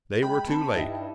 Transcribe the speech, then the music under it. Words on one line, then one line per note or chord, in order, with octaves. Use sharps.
They were too late.
G#3 G5 B5
C3 C4 A4
G2 D#4 E4 D#5